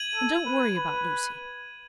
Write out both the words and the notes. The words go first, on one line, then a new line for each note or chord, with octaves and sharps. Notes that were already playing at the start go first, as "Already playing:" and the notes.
And don't worry about Lucy.
Already playing: G#6 D#7 F#7
A4
B4
B4